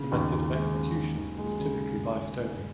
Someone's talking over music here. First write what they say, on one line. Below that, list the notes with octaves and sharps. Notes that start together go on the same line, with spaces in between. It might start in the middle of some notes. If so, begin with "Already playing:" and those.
The method of execution was typically by stoning.
Already playing: C#3
D#2
D#2
G#3
C#3
D#2
D#2
G#3
C#3